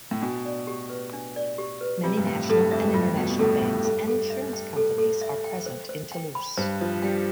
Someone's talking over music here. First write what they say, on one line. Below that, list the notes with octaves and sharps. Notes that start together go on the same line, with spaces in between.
Many national and international banks and insurance companies are present in Toulouse.
A2
B2 D4
D5
G4
B4
D4
D5
G4
B4
C3 F4
G2
A2 G5
G2 A4
F2 E5
G2 F4
B2 G5
B2
A2 A4
G2 E5
A4
A4
E5
G5
A4
A4
E5
G5
C5
C5
G5
B5
G2 C5
F3 C5
G3 G5